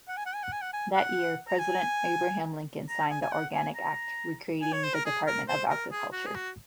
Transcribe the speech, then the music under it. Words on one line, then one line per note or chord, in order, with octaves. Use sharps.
That year, President Abraham Lincoln signed the Organic Act recreating the Department of Agriculture.
F#5
G#5
F#5
G#5
F#5
G#5
F#5
G#5
F#5
A#5
G#5
A#5
G#5
G#5
F#5
G#5
A#5
G#5
C#5
C5
A#4
G#4
A#4
C5
A#4
G#4
F#4
G#4
F#4